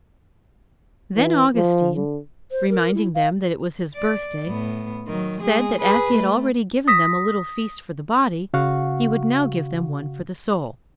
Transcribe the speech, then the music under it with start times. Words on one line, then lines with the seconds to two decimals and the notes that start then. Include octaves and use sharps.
Then Augustine, reminding them that it was his birthday, said that as he had already given them a little feast for the body, he would now give them one for the soul.
1.16 E3
1.56 F3
1.96 D3
2.51 C5
2.70 A#4
2.95 E4
3.15 F5
3.96 D5
4.48 A2 B3
5.07 D#3 F#3
5.41 G#3 G#4
5.82 G#4 B4
6.15 A3
6.88 D#6 A#6 B6
8.53 C#3 F#4 F5 F#5 C#6